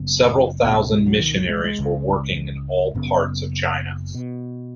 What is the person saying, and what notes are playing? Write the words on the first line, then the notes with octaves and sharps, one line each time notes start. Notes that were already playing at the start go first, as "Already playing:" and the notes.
Several thousand missionaries were working in all parts of China.
Already playing: F#1 F#2 C#3 B3
C#2 B2 B3
B3
G#3
F#3
D#3
F#3
G#3
G#3
C#2 C#3
F#1 F#2 C#3 B3
B2